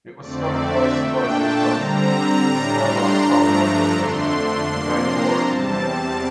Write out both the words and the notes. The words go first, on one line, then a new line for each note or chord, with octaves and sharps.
It was started by Sivasri Trust, a small non-profit organization, in Bangalore, India.
F2 D3 A3 C4 D5
E5
A#2 A3 D4 G5
A5
D3 G3 C4 A#5
A#5
A2 G3 D4 A#5
C6
G2 F3 A3 D4 A#5
F2 D3 A3 D4 C6
C3 F3 A#3 D4
A#5
E2 C3 G3 C4 A5